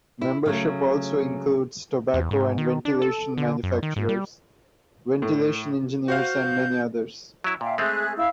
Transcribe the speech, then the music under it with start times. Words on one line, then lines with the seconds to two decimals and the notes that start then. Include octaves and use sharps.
Membership also includes tobacco and ventilation manufacturers, ventilation engineers and many others.
0.21 E4
0.46 C#3 F#3 A3
2.14 E2
2.31 G#2
2.58 D#3
2.85 D4
3.02 A4
3.38 D3
3.63 F#2
3.83 D#3
3.96 G#2
4.09 G3
5.22 A2
6.08 F#4 C5 F5 G6
7.44 F#3 E4
7.61 A#2 E5 F5 G5
7.78 G#3 A3 C4 G#4 E5 F#6
8.17 E4 F5 E6